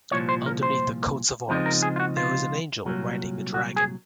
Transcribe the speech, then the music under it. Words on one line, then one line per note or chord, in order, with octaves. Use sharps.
Underneath the coats of arms, there is an angel riding a dragon.
C2 A#2 F3 C#5
C5
A#4
C5
C#2 C#3 F3 C4 D#4 C5
A#4
G#4
F4
F#4
F4
C2 A#2 F#3
F#4
G#4